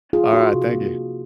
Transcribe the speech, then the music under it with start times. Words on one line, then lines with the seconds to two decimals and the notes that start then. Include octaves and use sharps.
Alright, thank you.
0.13 F3 F4 G#4
0.33 D#4 F#4
0.54 C3
0.75 A#3
0.95 A#3